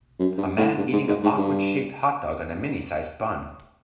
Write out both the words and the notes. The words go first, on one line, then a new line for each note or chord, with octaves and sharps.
A man eating a awkward shaped hotdog on a mini sized bun.
F#2
G2
A2
G2
G#2
G#2
G#2
G2